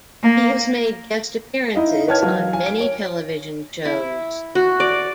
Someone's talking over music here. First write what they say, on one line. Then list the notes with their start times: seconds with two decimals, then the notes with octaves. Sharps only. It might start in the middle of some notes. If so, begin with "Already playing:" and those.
He has made guest appearances on many television shows.
0.22 A#3
1.75 D#4 E4 D#5 F5
2.08 B4 C#5 G5 A5 F6 G#6
2.23 F#3 F#4 F5
2.53 G#5
2.66 D7
2.80 C#5
3.85 E4
4.55 F#4
4.80 D5